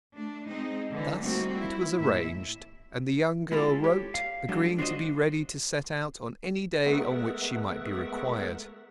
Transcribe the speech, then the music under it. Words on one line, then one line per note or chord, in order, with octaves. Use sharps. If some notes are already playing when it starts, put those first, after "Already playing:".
Thus it was arranged; and the young girl wrote, agreeing to be ready to set out on any day on which she might be required.
A3 D4
G#3 C4 D#4
D3 E3
G3 A3 A#3 C4 D#4 F#4
E4
D#2 A2 E4 E5
G#3 E4 F4 A4
G4 C#5
F5
F#3 G#3 A3 D4
D4 F4 F#4 A#4 C5 D#5
G#3 A3 B3 A#4 E5 F#5